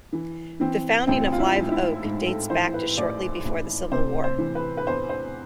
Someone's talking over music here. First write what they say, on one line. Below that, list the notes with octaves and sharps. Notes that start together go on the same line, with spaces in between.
The founding of Live Oak dates back to shortly before the Civil War.
E3
E3 C4
A1 C4
F4
E4
G#2
E4
G#2
A4
E3 C5
B4
A1 D5
A1
C3 C5
C5
E3
B4
B4
E2 C5
C5